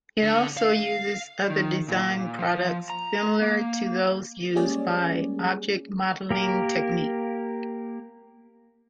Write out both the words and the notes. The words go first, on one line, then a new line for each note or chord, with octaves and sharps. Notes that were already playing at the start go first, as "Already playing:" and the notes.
It also uses other design products similar to those used by Object-modeling technique.
D3
F5
D#3
A#2
F3
A#5
A#3
G3 G#3 A#3 C#4 G#4 D5
A#3 G4 A#4